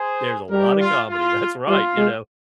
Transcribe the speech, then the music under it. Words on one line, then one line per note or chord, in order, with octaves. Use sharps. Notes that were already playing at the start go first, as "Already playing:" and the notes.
There's a lot of comedy, that's right, you know.
Already playing: G#4 C5
G3 G4 A#4
F4
F4
G3 F4
G#3